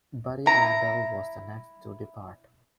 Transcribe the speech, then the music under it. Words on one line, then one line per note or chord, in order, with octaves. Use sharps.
Buddy Randell was the next to depart.
E4 A#5